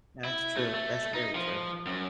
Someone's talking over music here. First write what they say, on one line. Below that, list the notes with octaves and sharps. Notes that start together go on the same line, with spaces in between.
That's true, that's very true.
E4
A3
A3
D#4
F3
F#2